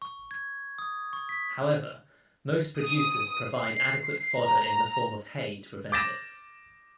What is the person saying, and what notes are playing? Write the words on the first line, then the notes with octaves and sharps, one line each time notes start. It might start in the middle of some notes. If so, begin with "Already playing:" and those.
However most producers provide adequate fodder in the form of hay to prevent this.
C#6
G#6
D#6
C#6
B6
D#6
C7
A#5
D6 G6 A6 A#6 E7